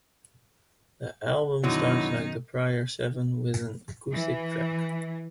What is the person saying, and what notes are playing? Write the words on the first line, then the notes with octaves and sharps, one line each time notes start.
The album starts like the prior seven, with an acoustic track.
F#2 B2 D3 D#3 F#3 D#4 E4
E3